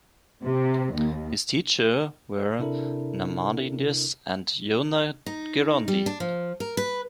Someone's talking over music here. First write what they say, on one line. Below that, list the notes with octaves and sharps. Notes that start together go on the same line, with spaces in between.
His teachers were Nahmanides and Yonah Gerondi.
C3
D#2
C3 D4 E4 A4 A#4
D#4
G3
D4
F3
A#4
B4